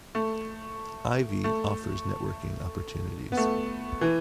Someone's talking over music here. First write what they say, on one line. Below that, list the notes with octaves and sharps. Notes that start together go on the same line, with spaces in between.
Ivey offers networking opportunities.
A3
A3
B3
A3
E3